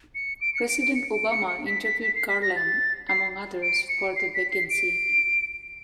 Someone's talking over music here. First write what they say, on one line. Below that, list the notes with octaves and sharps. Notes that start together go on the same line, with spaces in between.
President Obama interviewed Garland, among others, for the vacancy.
C#7
D7
C#7
D7
D7
C#7
D7
C#7
C#7
B6
B6
B6
C7
B6
A#6
A6
C7
D7
C#7
C7
B6
C7
D7